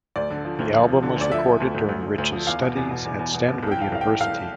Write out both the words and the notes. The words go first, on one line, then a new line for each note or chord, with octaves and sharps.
The album was recorded during Rich's studies at Stanford University.
D2 D5
D3
F3
D2
F3
F3
D3
D2 D5
F3 E5
F3
D2
D2
D2
D2
D2
F3
E2 F5
B2
E2
B2
E2
E2
B2
B2
C2
G5
E3 F5
C2 F5
E3 G5
C2 F5